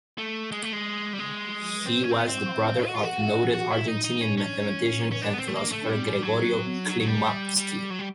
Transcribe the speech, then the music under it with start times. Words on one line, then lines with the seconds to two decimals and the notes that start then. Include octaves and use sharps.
He was the brother of noted Argentinian mathematician and philosopher Gregorio Klimovsky.
0.18 A3
0.52 G#3
0.62 A3
0.73 G#3
1.13 G3
1.19 G#3
1.86 C4
2.03 C#4
2.11 C4
2.19 B3
2.27 C4
2.87 F#4
2.95 F4
3.03 F#4
3.54 F#4
3.71 E4
3.88 D#4
4.04 D#4
4.21 C#4
4.37 C#4
5.12 C#4
5.22 D4
5.33 B3
5.39 C4
5.48 A3
5.55 A#3
5.72 A3
5.89 G3
6.23 F#3
6.90 F#3
7.00 F#3
7.06 G3
7.57 G3
7.90 F#3
7.99 G3